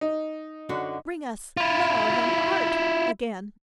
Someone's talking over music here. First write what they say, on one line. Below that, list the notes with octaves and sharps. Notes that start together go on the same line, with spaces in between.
Bring us love and art again!
D#4
F#2 D3 F#4
E4 F4